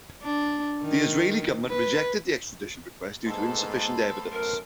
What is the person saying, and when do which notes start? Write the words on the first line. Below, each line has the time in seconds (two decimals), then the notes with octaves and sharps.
The Israeli government rejected the extradition request due to insufficient evidence.
0.23 D4
0.82 D#3
1.69 B4
3.26 G#2 A3 B3 A4 C5
4.32 F#2 A#4